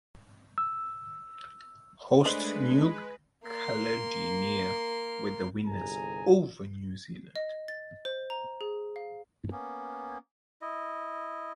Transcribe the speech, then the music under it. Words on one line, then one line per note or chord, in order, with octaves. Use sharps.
Hosts New Caledonia were the winners over New Zealand.
E6
G#3 A3 D4 B4 C5 D5 D#5
A#3 C6
G1 C2 C3 G#4 G#5 A#5
D#5
A6
C5
A#5
G#4
F5
A#3 B3 C#4
E4 D#5